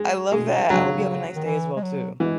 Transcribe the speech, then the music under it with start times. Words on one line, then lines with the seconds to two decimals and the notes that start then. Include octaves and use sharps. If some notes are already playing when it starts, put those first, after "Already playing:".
I love that, I hope you have a nice day as well, too.
Already playing: G#3
0.32 B2 G#3
0.70 C#3 F#3
1.36 D#3
1.45 E3
1.77 G#3
1.83 F#3
2.20 E3 G#3